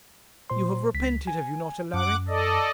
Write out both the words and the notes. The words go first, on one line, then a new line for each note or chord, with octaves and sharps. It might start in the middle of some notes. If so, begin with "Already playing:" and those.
You have repented, have you not, Alaric?'
A#2 C5 C6
C#2 B6
G#5
F#2 F#5 D6
A4 D5 D#5